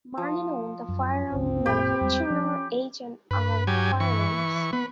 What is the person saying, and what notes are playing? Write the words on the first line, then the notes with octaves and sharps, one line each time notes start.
Marlin owned the firearm manufacturer H and R Firearms.
F3
F#2
G1 C#2 C4
A1 F#2 A#2 G4 G5 B5
E2 G3 G#3
F3 C#4
G2 B4
F#3 G4 G#5
E3 C#6
B3 B4